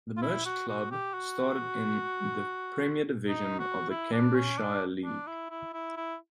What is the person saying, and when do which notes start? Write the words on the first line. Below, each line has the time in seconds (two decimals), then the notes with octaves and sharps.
The merged club started in the Premier Division of the Cambridgeshire League.
0.17 F4
0.22 E4
0.45 F#4
0.68 F#4
0.91 G4
1.14 F#4
3.28 D#4
3.59 F#4
3.90 E4
4.12 D4
4.35 C#4
4.59 D4
5.05 D4
5.27 E4
5.51 E4
5.73 E4
5.97 E4